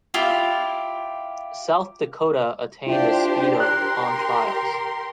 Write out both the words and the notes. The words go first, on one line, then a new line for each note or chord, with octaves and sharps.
"South Dakota" attained a speed of on trials.
E4 F4 G4
D4 E4 F4 G4 C5
G4 A#4 C6 F#6